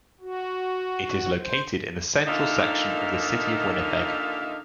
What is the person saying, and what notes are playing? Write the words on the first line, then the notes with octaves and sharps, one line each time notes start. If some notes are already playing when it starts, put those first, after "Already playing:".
It is located in the central section of the City of Winnipeg.
F#4
C5
A#2 D3 D#3 D#4 E5 F5